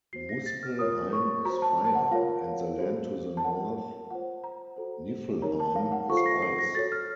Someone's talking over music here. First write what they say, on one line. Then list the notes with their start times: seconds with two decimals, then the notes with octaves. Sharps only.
Muspelheim is fire; and the land to the North, Niflheim, is ice.
0.13 F#4 C5 C7
0.29 A#6
0.46 A6
0.63 F6
0.79 F4 A#4 C#5 D#6
1.13 C#6
1.45 F#4 C5 A#5
1.62 A5
1.84 A5
1.95 F#5
2.11 F4 A#4 C#5 F5
2.78 F#4 A4 C5
3.37 A5
3.44 F4 A#4 C#5 F#5
4.11 F4 C5 F#5
4.44 A#5
4.77 F#4 A4 C5
5.42 D#4 A#4 C#5 A#5
5.60 A5
5.76 F5
5.92 F#5
6.10 F4 A4 C5 C#6
6.17 C7
6.26 A#6
6.42 C7
6.59 A#6
6.75 F#4 A4 C#5 A6
6.92 F6